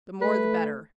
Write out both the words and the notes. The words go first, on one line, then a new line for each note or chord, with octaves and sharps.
The more the better.
A3 B4